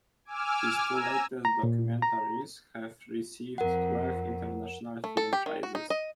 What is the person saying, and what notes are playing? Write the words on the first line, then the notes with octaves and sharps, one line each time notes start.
His two latest documentaries have received twelve International Film Prizes.
G#5 D6 E6 F6
G#5 A#5 E6
A#5
A#2
A#5
F2 A#4 F#5
A3
A4
G4
D#3
F#4
D#4
D#5